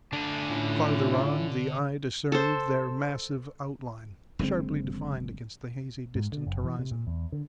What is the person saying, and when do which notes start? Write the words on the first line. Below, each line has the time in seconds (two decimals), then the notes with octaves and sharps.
Farther on the eye discerned their massive outline sharply defined against the hazy distant horizon.
0.13 D3 A3 D4 G#5 A5
0.49 A2 C#4 E4 F4
2.32 A4 C5
4.39 F#1 D3 G#3 C4
6.15 G#2
6.32 D3
6.47 F#1
6.64 E3
6.79 C3
6.91 A#2
7.07 E2
7.32 D3